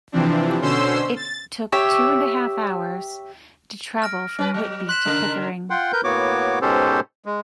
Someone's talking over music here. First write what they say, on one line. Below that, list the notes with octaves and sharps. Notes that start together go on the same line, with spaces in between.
It took two and a half hours to travel from Whitby to Pickering.
C3 E3 F3 C4 D4
B2 D3 C#4 C5 C6 E6
A6
G4 C#5 E5
F6 A#6 D7
C#4 B4
F#3
C6 F#6 B6 E7
C#3 A#3 A#4
F4 F#5 G5 C6
A#4 B4 G6
A2 A#3 B3 F#4 C#5 D6
G#2 B2 C#4 G4 A4 C5
G#3